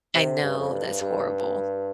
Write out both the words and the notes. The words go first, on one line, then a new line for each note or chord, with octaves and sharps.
I know, that's horrible.
C3
G2
F2
G2
G2
G2